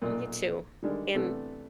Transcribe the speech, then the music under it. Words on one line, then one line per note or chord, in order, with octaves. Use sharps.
You too. And,
B1 F#2 A#2
D3 D#3 G3 G#3 D4
C3 E3 A3 B3 D4 A4